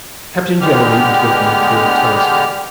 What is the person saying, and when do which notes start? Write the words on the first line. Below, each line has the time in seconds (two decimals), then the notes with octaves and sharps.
Captain Jeremy was looking through a telescope.
0.61 D3 G#3 B3 G4 F6